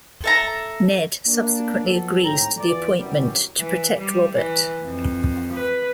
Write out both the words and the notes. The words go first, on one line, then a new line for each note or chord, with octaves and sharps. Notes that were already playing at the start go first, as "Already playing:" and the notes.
Ned subsequently agrees to the appointment to protect Robert.
A4 E5 A#5
A#3 D4
F3 F#3 B3 A4
G#1 A2 A3 G5 A#5
E2 E3 F4 D5
C2 F#2 E3 F#3 G3
E3
G3
E3
F2
B4